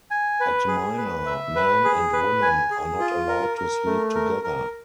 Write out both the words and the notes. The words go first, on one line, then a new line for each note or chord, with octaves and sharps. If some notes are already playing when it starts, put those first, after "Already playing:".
At Mina, men and women are not allowed to sleep together.
G#5
B4
G#4
B4
E5
B4
G#4
B4
G#5
G#4
F4
A#4
A#4
A3
A#4
A#4